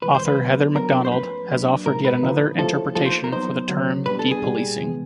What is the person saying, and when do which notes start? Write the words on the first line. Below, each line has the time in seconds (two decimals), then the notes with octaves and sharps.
Author Heather Mac Donald has offered yet another interpretation for the term de-policing.
0.02 C3 E3 G#3 B4
0.15 C5
0.26 B4
0.39 D3 F#3 B3
0.75 F#3 B3 D4 A#4
1.05 C5
1.12 F3 A3 C#4 B4
1.49 F#3 A#3 D4
1.86 A#2 F3 G#3 C4 D#4 A#4
2.05 B4
2.22 D3 F3 A#3 D#4
2.59 F3 A3 C#4 E4 A4
2.95 F3 A#3 D#4 A4
3.06 C5
3.24 A#4
3.32 F#3 B3 D#4 C5
3.69 D3 F#3 A#3
4.06 B2 G3 B3 D4 B4
4.19 A4
4.31 G#4
4.43 A#2 G3 A#3 D#4
4.80 C3 E3 G#3 B3